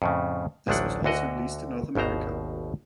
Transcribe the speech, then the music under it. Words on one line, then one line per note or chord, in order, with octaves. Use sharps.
This was also released in North America.
F2 A2 C#3
A1 D2 F3 F#3 D4 F#5
D2 D3 F#4 D#5 F#5
G#1 D#2 B2 C5 A#5